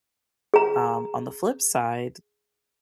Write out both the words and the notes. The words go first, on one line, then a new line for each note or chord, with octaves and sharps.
um, on the flip side,
G#4 A#5